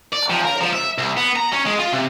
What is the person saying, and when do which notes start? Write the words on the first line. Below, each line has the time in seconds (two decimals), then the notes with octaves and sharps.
I don't know.
0.13 D5
0.30 F3
0.44 A#4
0.61 F3
0.73 E5
0.98 C2
1.17 B3
1.35 A#5
1.52 C#4
1.65 G#3
1.79 F4
1.92 C3